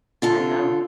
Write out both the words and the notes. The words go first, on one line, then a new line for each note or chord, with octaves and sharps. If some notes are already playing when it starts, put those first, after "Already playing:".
I know.
D3 F4 A4